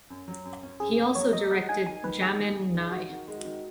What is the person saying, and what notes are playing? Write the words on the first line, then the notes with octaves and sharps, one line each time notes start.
He also directed "Jamin Nai".
F#2
F#3
F#2
C#4
F#2 G#4
F#2
F#3 C#5
F#3 D#5
G#3 F#5
D#4 G#5
D#3 G#5
D#3 B4
D#3 G#4
D#3
D#3
D#3
D#3 F#4
D#3
G#3
D#3